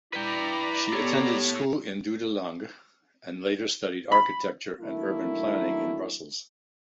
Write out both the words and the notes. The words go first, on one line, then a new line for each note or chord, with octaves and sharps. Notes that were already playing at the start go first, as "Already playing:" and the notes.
She attended school in Dudelange and later studied architecture and urban planning in Brussels.
E4 B4 D5 G5 A#5 B5
B3 G4 A4 C#5
B5
D#3 F#3 A3 A#3 D4 E4